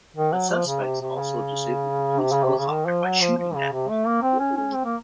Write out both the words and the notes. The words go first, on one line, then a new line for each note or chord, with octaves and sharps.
The suspects also disabled a police helicopter by shooting at it.
D#3
F#3
F3
C#3
C3
C3
C#3
C3
C#3
C3
C#3
D#3
F3
F#3
F3
F3
C#3
C3
A3
A#3
C4
C#4
C#4
C4
A#3